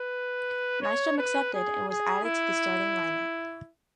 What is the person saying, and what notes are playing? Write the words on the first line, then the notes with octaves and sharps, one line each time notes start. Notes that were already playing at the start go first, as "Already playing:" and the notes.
Nystrom accepted, and was added to the starting lineup.
Already playing: B4
C#5
B4
G#4
G#4
E4